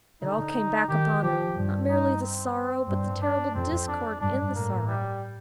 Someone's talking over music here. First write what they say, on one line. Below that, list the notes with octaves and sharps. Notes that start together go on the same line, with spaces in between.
It all came back upon her; not merely the sorrow, but the terrible discord in the sorrow.
D3 D#4
D#3 G4
F3 G4
G2
D#4
C4
G2
D4
F2 C4
D4
G2 D4
A2 A#3
G3